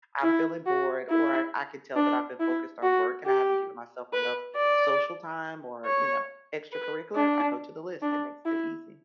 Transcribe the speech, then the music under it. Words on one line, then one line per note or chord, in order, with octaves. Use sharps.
I'm feeling bored, or I could tell that I've been focused on work and I haven't given myself enough social time or, you know, extracurricular, I go to the list. It makes it easy.
E4
F#4
E4
D4
E4
F#4
G4
B4
D5
C#5
B4
D4
D4
E4